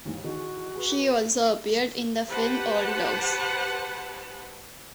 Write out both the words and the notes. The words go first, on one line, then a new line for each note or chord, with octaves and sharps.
She also appeared in the film "Old Dogs".
D#2 G#2 E3
D#3 E3 F#4 G#4
G#4 B4
G4 B4 C5 F#5 A5